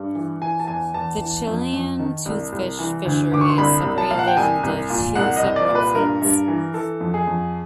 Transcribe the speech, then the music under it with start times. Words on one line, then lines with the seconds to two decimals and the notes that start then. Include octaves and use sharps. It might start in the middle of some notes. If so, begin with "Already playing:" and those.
The Chilean toothfish fishery is separated into two separate fleets.
Already playing: G2
0.15 E3
0.42 E3 G#5
0.60 A5
0.67 E2 G#5
0.94 E2 A5
1.20 E3
1.47 F2
1.73 F2
1.99 D#3
2.26 C2
2.52 C2
2.79 E3
3.05 D2
3.32 D2 D6
3.41 C#6
3.49 C6
3.58 C2 B5
3.84 C2
3.98 A5
4.11 A#2 F5
4.19 F#5
4.28 G5
4.37 C2 G#5
4.63 C2
4.90 A#2
5.15 C2 F#5
5.36 D#5
5.43 C2
5.56 D5
5.68 A#2
5.75 B4
5.95 G2 A#4
6.22 G2
6.48 E3
6.74 E3 A4
7.00 F2
7.14 G#4
7.27 F2